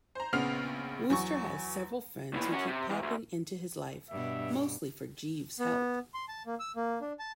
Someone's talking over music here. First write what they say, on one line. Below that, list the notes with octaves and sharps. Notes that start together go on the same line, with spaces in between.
Wooster has several friends who keep popping into his life, mostly for Jeeves' help.
C5 A#5
A#1 C#3 B3 F6 C7 F7
E2 F#3 C#6
D#2 E3
C#4 F#4
C3
E2
D2
G2 B2 E5
B3
C6
A5
A#3
E6
A#3
D4
A5